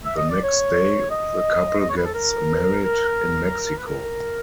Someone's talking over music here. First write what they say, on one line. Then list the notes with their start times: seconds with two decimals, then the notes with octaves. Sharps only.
The next day, the couple gets married in Mexico.
0.04 E5
0.17 D#5
0.29 D5
0.43 C#5
1.10 D#5
1.79 D#5
1.89 C#5
1.97 B4
2.06 A4
2.14 A#4
2.83 A#4
3.77 B4
3.86 A#4